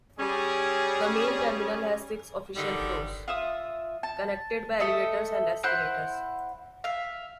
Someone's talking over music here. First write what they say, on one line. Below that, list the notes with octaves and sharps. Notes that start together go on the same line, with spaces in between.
The main terminal has six official floors, connected by elevators and escalators.
G3 C#4 G#4
G2 D3 D#3 G3
F4 E5 D#6
A5
A3 A4 D#5 E5
E4 C5 F#5 F#6
E5 F5